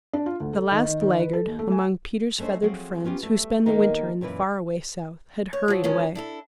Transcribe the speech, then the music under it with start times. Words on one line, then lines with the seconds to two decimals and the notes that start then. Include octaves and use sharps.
The last laggard among Peter's feathered friends who spend the winter in the far-away South had hurried away.
0.13 D4
0.26 F4
0.40 D2
0.53 A4
0.72 D#3
0.85 D#3
1.01 D#3
1.20 B4
1.33 A4
1.46 D#2
1.59 A3
1.72 G#5
2.38 G#3 A3 C#4 D4 C5
2.62 F3 F#3 C4 G#4
3.04 B3 C#4 F4 G4
3.23 G3 A3
3.66 D#3 A#3 B3 D#4 G4 A#4
4.21 F#2 A#2 E3 B4 D5
5.53 C#5
5.68 F3 F#3
5.84 D#3 F3 G#3 C#4
6.15 D4 E4 A4